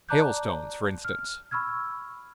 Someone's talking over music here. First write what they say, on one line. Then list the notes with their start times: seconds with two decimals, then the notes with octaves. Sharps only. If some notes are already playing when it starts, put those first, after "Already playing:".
Hailstones, for instance.
0.09 D5 A5 A#5 D6 F#6 G6
1.05 F6
1.51 B5 C#6 E6 F6 G#6